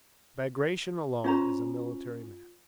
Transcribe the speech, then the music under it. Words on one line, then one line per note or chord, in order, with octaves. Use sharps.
Bagration alone is a military man.
C#4 F4 C5 A#5